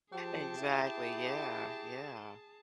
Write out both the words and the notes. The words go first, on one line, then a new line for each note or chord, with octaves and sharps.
Exactly, yeah, yeah.
F3 G4 G#4 A5
E4